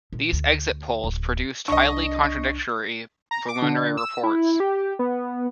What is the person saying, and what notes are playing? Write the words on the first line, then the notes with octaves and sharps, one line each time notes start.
These exit polls produced highly contradictory preliminary reports.
A#2
D2
D1
C2 D4 D#5 C#6
A#5
D6
D3
E6
E4
G4
B3